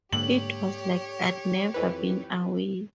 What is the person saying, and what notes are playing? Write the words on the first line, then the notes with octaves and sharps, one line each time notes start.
It was like I'd never been away.
G#2 D3 A#3 G4 C#5 F#7
F2 E3 B4